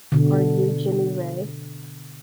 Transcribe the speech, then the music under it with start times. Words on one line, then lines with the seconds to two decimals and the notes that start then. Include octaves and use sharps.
Are You Jimmy Ray?
0.12 B2 D3